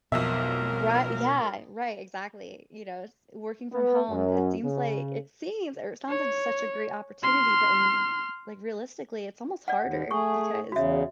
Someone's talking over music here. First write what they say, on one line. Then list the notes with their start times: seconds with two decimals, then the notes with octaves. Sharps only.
Ri yeah. Right, exactly. You know, s working from home, it seems like it seems or it sounds like such a great opportunity, but in r like, realistically, it's almost harder, because
0.12 B1 F2 G#2 B2 F#3 A#4 E5
3.72 B3
4.09 F#2
4.63 C#3
6.09 C#5
7.23 C6 F6
9.68 D5 F#5
9.82 D#2
10.11 A3 G#4 C#6
10.72 E2 C#3 F#4 E5